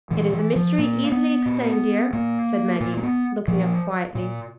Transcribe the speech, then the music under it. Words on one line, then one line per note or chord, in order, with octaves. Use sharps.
"It is a mystery easily explained, dear," said Maggie, looking up quietly.
A#2 E3
E3
F3
A#2 A#3
B3
A#2
A#2 A#3
A#2 A#3
A#3
B3
A#2 F3
A#2